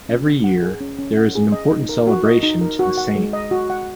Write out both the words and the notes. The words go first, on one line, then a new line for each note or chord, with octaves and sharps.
Every year, there is an important celebration to the Saint.
C#4
C#4
F#5
G#4
C#4
C#4
F#5
G#4
D#5
D#4
A#4
F#4
D#5
D#4
A#4
F#4
F#5
G#3
D#5
F#4
F#5